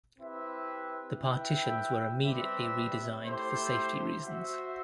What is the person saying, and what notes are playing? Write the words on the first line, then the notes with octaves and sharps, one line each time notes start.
The partitions were immediately re-designed for safety reasons.
C4 E4 G4 B4 E5
E4 B4 E5 G5
G3 C4 G4 B4 E5
A3 E4 G4 C5
F#4 C5 E5